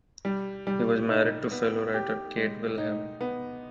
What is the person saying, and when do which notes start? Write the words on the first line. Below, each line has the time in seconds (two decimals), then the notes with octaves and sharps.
He was married to fellow writer Kate Wilhelm.
0.25 G3
0.67 G3
1.09 D#4
1.52 B3
1.94 G4
2.36 G#3
2.78 D#4
3.21 B3